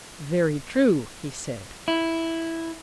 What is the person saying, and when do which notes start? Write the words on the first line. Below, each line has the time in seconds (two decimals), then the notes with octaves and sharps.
Very true, he said.
1.88 E4